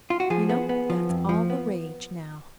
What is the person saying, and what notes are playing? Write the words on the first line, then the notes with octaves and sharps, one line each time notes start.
You know that's all the rage now.
F4
F#4
F3 G#4
B3
B3
F3
F2
F3
B3